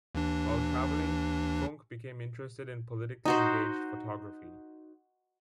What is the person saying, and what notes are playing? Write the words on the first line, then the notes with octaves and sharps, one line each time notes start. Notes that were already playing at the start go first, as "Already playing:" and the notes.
While travelling, Funke became interested in politically engaged photography.
D#2 E3 D4
D#4 F#4 C5